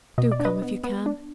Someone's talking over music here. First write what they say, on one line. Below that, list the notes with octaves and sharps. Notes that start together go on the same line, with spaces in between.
Do come if you can.
B2 D#5
D5
D4
B4 D#5
B3
B3
D4